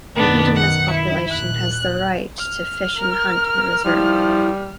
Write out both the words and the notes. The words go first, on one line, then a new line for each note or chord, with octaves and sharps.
The indigenous population has the right to fish and hunt in the reserve.
F#2 B2 D#3 B3 D4
F#5 C#7
E4
D#2 A#2 F#6
F6
A#4
F3 G3 E4